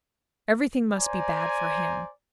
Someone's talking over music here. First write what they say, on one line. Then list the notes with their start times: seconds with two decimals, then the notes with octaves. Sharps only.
Everything must be bad for him.
0.97 C5 D5 G#5 A#5